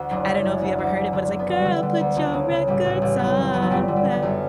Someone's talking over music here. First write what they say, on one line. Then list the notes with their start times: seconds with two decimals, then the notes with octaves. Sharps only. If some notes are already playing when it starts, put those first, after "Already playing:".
I don't know if you ever heard it, but it's like, "Girl, put your records on, play
Already playing: D2 F#4
0.11 F#1 D4
0.24 C#3 E4
0.37 D4
0.45 F#2
0.61 D2 D4
0.78 D2
0.96 D2
1.13 D3 D4
1.31 D3
1.39 B3
1.48 D3
1.59 G3
1.65 D3 A3
1.83 D3
2.00 D2
2.16 C#2
2.33 C#3
2.51 C#3
2.67 A1 G3
2.84 A1
3.02 A1
3.19 F#1
3.37 F#1
3.54 F#1
3.62 F#3
3.71 G1 G3
3.88 D3
3.96 G3
4.05 G2
4.13 B3
4.22 F#2 A3